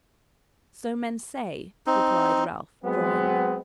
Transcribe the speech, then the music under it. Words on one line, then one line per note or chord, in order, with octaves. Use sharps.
'So men say,' replied Ralph, drily.
C4 D#4
F#3 G#3 B3 C4